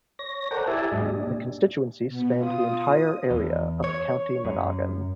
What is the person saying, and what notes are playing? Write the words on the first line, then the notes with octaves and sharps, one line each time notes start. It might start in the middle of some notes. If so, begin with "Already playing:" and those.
The constituency spanned the entire area of the County Monaghan.
C#5 A#6
A4 A#4 C5 D5 F#5 G5
E4 G4 D5 E5 G#5 A5
G#2 F#3 D4 G#4 D#5
A#2 D4 G4
B2 B3
F4 D#6
E2
C#5
F#2